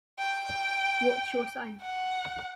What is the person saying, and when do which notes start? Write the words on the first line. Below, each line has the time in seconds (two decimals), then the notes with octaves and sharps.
What's your sign?
0.19 G5
1.81 F#5